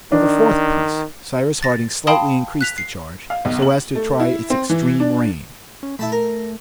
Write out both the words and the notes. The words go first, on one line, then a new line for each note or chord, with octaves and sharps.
For the fourth piece Cyrus Harding slightly increased the charge, so as to try its extreme range.
D#3 D4
A6 A#6
F5 G5 A5 B5 C6 D#6
F#6 B6 F7
C7
F5
B1
F#7
A3
E4
C4
E3
D4
C#4
A3 E4 A5 B5
A#4